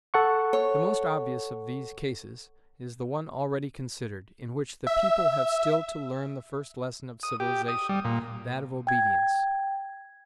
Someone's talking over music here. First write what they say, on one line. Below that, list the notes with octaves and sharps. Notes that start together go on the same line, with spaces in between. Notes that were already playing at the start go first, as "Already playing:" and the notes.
The most obvious of these cases is the one already considered, in which the people have still to learn the first lesson of civilization, that of obedience.
A4 F#5 C#6
C#5
E5
D#6
G4
D#6
G3
A#2
G5 G#6